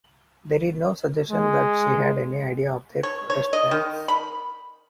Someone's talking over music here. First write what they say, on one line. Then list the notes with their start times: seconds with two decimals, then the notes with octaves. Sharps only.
There is no suggestion that she had any idea of their protest plans.
1.31 G#3
3.03 C#5
3.30 C#5
3.53 D#5
3.71 D#3
4.08 B5